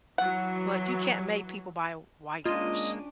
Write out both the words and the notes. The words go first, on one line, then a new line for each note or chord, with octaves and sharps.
but you can't make people buy wipers.
E3 F#3 F#5
G#3 A#3 C#4 D4 F4 D#5 D#7